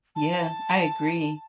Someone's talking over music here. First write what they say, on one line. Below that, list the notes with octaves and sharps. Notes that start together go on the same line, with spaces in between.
Yeah. I agree.
A5